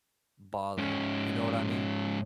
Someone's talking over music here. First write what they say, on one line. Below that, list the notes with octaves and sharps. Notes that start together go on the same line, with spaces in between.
balling, you know what I mean?
G#2 C#4